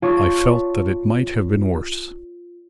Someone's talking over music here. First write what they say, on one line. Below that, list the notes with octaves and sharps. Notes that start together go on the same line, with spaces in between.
I felt that it might have been worse.
F4 C#5 D5 A5 C#6